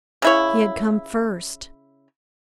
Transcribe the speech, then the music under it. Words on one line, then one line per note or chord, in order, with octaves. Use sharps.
He had come first!
C#3 E4 C#5